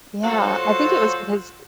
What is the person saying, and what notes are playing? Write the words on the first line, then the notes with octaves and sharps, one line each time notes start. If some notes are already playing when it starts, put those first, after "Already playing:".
Yeah, I think it was because, eh
F#3 F4 F#4 A4 C5